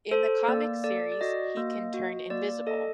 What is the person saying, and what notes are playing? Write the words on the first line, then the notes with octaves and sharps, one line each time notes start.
In the comics series he can turn invisible.
A4 C5
A#3 D5
A4 D5
D5
F#4 D#5
A#3
F#4
A#3 D5
D5
A4 D#5